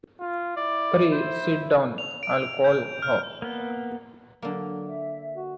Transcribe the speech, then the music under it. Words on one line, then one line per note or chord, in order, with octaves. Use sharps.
Pray sit down, I'll call her.
F4
E4 D5
C5
F7
D7
G6
F6
A#3 B3
D3 F#3 A#3
E5
F#4